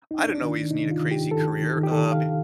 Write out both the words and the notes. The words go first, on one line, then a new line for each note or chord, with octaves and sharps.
I didn't always need a crazy career, uh,
C2 D#4
D4
C2
D4
D#3
D#3
C3 D#4
D#3
F4
D#3
G4
D#3
D#3 A4
C2
D#3
D#3
G4
D#3 A4
D#3 F5